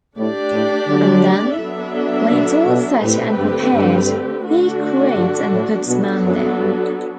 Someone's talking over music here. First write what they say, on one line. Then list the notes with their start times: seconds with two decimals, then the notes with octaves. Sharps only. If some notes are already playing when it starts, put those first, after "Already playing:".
And then, when it's all set and prepared, he creates and puts man there.
0.16 A2 A3 D4 G4 D5
0.52 A2
0.88 D3 F#3
1.59 F#3 B3 D4 A4 E5
2.30 B2 D3
2.66 B2
3.02 A2 D3 A3 C4 G4 B4
3.38 G2
3.73 G2
4.45 D3 A3 D4 F#4
5.17 G2
5.52 A2
5.87 B2 F#3 B3 D4 F#4 A4
6.23 F#2
6.59 G2